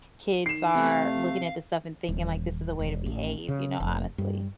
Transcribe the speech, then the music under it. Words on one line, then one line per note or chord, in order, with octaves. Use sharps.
kids are looking at this stuff and thinking, like, this is the way to behave, you know, honestly.
D#3 C7 E7
C3 A3 B3 A4
F5
D#1
E1
A1
C#3
F1
G2